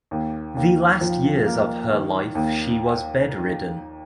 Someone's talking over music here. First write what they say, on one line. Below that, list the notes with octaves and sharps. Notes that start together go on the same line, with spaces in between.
The last years of her life she was bedridden.
D#2
D#2
F3
A#3
D#3
D#2